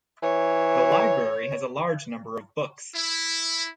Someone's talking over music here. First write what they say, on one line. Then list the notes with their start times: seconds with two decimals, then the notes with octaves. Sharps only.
The library has a large number of books.
0.23 E3 C#5
2.94 E4